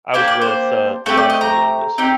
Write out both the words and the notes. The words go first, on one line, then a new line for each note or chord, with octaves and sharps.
I was with, uh, the wife and the oldest,
A#3 D4 G4 C5
D5
C5
A3 C4 G4 A4
D5
D#5
A#5
C4 D#4 G4